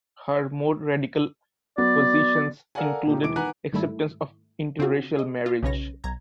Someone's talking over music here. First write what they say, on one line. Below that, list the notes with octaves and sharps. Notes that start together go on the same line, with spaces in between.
Her more radical positions included acceptance of interracial marriage.
F#3 B3 D5
A4 A#4 D5 F5 F#5 G#5
A#2 D#3 D#4 G4
E1 E3 D6 D7
D#3 B4 F#5 G#5 A#5 F#6
G#2 D#3 G3 A3 E4
C#3 C4 D4 F4 F#4 G#4
G#4 D#5
F4
B1 C#3 C#4 B4 C#5 A#6
B1 A#5 G#6